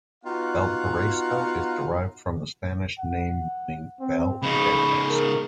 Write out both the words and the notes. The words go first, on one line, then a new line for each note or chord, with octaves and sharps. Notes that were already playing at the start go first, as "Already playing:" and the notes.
Valparaiso is derived from a Spanish name meaning "vale of paradise".
B3 D#4 F4 F#4 F5 F#5
F#5
C4
C#3 D#4 B5
A#4